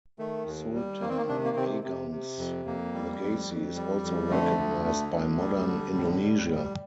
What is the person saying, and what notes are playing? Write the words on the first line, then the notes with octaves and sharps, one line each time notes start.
Sultan Agung's legacy is also recognised by modern Indonesia.
D#3 A3
D#2
G3
D#3 A#3
C4
A#3
C3 D4
A#3
C3 C4
C3
C3
F2
F2 A#3
G3
F2
F2
G3
F2
D3 A3
D2
D3
D2
G3
D3
A2
G3
G3